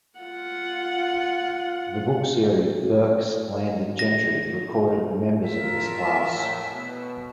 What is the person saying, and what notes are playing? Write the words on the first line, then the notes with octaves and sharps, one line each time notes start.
The book series "Burke's Landed Gentry" recorded the members of this class.
F4 F#5
A#6
A2 F4 A#4 E5
A2
B2